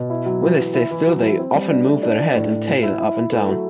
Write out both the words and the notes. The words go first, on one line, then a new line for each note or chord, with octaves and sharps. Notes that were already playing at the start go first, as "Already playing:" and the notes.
When they stay still, they often move their head and tail up and down.
Already playing: B2
E4
F#3
E3
E3
E4
E3
F#3
E4
C4
G3
D4
A3
D4
D4
A2
A2
E4
E4
E4
E4
A3
F#3